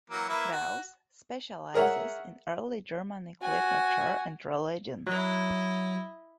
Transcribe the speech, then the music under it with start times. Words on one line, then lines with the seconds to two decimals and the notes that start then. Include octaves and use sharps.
Krause specializes in early Germanic literature and religion.
0.10 E3 F#3 A#3
0.29 A#3 E4 B4
0.52 F#4
1.74 G#4 A#4 C#5 E5 F#5
3.42 F#4 G#5
5.07 F#3 E4 D#5